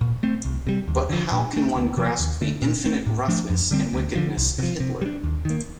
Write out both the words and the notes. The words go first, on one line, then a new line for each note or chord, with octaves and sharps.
But how can one grasp the infinite roughness and wickedness of Hitler?
A#2
A3 C4
C2
C3 G3
D#2
D3 F3
A#2
A3 D4
D2
C3 F3 A#3
D#2
D3 A3
A#2
A3 C4
A2
F3 A3 D4
F2
D3 G3 C4
D2
D3 F3
C2
C3 F3
C3
G3
D4
D#2
D#3 A#3